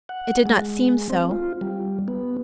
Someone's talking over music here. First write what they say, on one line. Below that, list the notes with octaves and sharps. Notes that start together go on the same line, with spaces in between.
It did not seem so.
F#5
G#3
C4
F4
G3
B3